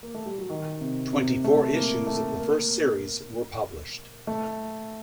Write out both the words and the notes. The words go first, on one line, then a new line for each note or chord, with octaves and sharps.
Twenty-four issues of the first series were published.
A#3
A3
G3
F#3
D#3
C3
C3
A3
A#3
A3
A#3
A3